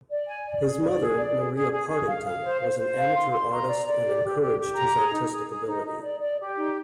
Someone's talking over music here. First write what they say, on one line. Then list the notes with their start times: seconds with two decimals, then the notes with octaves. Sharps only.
His mother, Maria Partington, was an amateur artist and encouraged his artistic ability.
0.10 D5
0.27 G#5
0.46 D5
0.64 G#4
0.81 D5
1.00 G#4
1.18 D5
1.35 G#4
1.54 G#4
1.72 G#4
1.89 G#4
2.08 F5
2.26 F5
2.44 C5
2.61 C5
2.79 C5
2.97 F5
3.15 C6
3.33 C6
3.52 A#5
3.69 D5
3.88 D5
4.05 G4
4.23 G4
4.41 G4
4.59 G4
4.77 A#5
4.95 G#4
5.13 D#4
5.31 G#4
5.49 G#4
5.67 D#4
5.85 D#4
6.02 D5
6.21 D5
6.39 G4
6.56 D#4